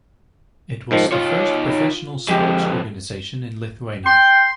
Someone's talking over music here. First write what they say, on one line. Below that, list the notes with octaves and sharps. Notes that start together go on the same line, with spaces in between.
It was the first professional sports organisation in Lithuania.
G#2 D#3 F3
D#4 F4 C#5
F2 D3 G#3 G4
G5 C6